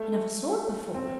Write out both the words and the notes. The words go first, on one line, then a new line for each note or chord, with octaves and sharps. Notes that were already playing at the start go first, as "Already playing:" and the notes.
I never saw it before.
Already playing: A3
C4